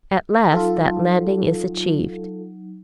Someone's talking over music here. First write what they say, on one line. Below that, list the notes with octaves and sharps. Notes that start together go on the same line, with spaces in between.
At last that landing is achieved.
F#3 D#4 F4 A4